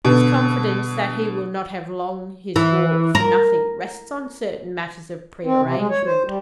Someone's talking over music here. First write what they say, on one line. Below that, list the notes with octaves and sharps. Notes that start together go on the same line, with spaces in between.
His confidence that he will not have long his walk for nothing rests on certain matters of pre-arrangement.
B2 D3
E3
A#4
C4
C3
G#3
C#5
C5
G3